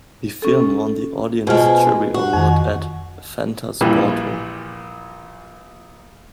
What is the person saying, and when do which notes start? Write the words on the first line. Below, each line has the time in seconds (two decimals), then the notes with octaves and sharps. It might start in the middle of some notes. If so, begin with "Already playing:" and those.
The film won the "Audience Jury Award" at Fantasporto.
0.42 C#4 A4
1.47 B2 G#3 F4 G#4 C5
2.14 F#4
2.33 F2 D#3
3.81 A#1 A#2 E3 G3